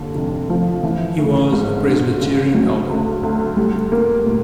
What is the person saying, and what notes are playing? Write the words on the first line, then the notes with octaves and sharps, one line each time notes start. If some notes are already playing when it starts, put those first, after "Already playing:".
He was a Presbyterian elder.
Already playing: D#2 D3
F1
F3
E3
A3
G#2
D4
C#3
F#3
D2
D2
G3
A#3
A#2